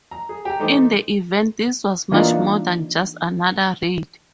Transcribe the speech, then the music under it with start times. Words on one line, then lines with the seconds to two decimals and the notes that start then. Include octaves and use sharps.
In the event, this was much more than just another raid.
0.11 A#5
0.29 G#4
0.45 G4 A#5
0.59 E3 A3 D#4 C5 D6
2.11 E3 A#3 D4 D#4 F4